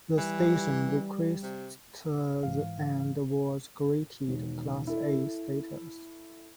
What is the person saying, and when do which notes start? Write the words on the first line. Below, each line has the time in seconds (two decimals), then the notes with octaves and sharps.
The station requested and was granted Class A status.
0.18 E3 G3
1.43 C3
2.43 G#2 E3 F5
4.27 E1 D#3
4.87 E4 A4